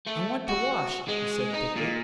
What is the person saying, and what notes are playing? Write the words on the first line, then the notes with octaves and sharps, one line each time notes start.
"I want to wash," he said, thickly.
A3
F#4
G#3
D#4
A#2